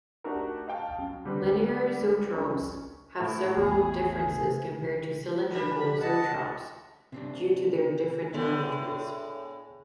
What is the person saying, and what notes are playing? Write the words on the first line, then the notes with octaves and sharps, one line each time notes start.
Linear zoetropes have several differences compared to cylindrical zoetropes due to their different geometries.
A3 D4 D#4 F#4 G4 A#4
D#5 F5 G5 A5
F#2
D3 G3 C4 G4 B4
F#1 C#2 C3 D4
C#4
A2 A3 E4
A1 E2 G#4
F3 G3 D4 B5
D#5 F#5 A5
C3 C4 D4
A2 G#3 B3 D4